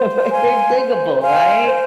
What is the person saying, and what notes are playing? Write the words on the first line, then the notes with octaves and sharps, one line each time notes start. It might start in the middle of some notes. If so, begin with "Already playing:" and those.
but they're diggable, right?
Already playing: C5
F5 G#5 C6
C5
F5 G#5 C6
C5